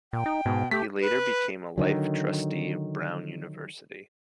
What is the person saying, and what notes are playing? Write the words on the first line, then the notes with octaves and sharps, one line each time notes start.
He later became a Life Trustee of Brown University.
A#2 G5
D#4
G#2 B2
A3 G4 B6
B4
D3 D#3 F#3